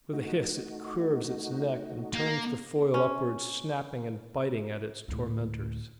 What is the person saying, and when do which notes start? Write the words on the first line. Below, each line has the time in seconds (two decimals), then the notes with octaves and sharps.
With a hiss it curves its neck and turns the foil upwards, snapping and biting at its tormentors.
0.13 A3 D#4 F#4
2.14 A#3
2.94 C#4
5.08 D2 A2